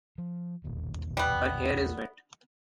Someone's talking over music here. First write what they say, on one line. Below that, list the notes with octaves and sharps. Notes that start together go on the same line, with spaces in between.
Her hair is wet.
F3
E1 A#1 D#2
G3 B3